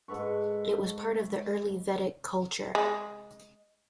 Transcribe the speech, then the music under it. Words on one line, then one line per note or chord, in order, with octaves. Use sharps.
It was part of the Early Vedic culture.
G#2 A4 B4 C#6
G#3